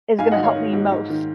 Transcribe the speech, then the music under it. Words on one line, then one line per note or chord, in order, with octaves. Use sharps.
is gonna help me most
G#2 F5 G#5
D#5 F#5
D#3
C#5 F5
D#3
G#2
G#2
D#3